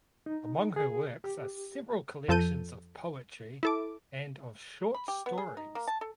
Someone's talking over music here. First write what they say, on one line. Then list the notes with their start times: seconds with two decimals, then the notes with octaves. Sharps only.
Among her works are several collections of poetry and of short stories.
0.26 D#4
0.76 G#4
1.24 G4
2.28 F2 F3 A4 A5 G6 D#7
3.63 E4 A4 D6
4.94 B5
5.08 G4
5.26 B3
5.38 G#4
5.57 D#4
5.75 A#3
5.88 A5
6.01 A4